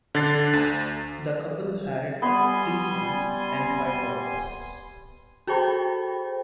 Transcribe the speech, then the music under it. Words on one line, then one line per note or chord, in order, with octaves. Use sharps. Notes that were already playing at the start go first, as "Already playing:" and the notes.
The couple had three sons and five daughters.
D3 D4 A6 C7
D2
G3 B3 G#5 C6
F#4 G#4 A4 C5 G5 B5